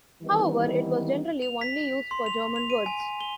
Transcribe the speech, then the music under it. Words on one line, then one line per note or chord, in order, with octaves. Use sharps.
However, it was generally only used for German words.
D#3 E3 G3 B3 C4 D#4
F7
B6
C6
F7
F7
D#7
G#5
G#5
G7